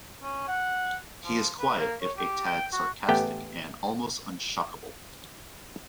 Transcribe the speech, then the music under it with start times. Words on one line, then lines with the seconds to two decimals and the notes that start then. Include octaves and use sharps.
He is quiet, if a tad sarcastic, and almost unshockable.
0.22 C#4
0.48 F#5
1.24 F3
1.59 B4
1.79 A#3
2.01 C#5
2.18 G4
2.47 G5
2.72 F#4
3.09 A1 A3 B3 G4 G5